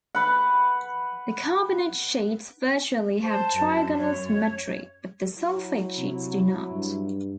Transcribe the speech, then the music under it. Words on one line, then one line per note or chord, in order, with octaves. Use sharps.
The carbonate sheets virtually have trigonal symmetry, but the sulfate sheets do not.
B4 F#5
C5 A5
F#2
C#5
F#3 E4
C3
G2